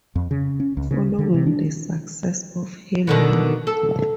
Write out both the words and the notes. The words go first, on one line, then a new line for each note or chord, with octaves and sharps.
Following the success of Hello?
F2
C#3
C#4
C#2
C#3
D3
C3
D4
B2 D3 D#3
A4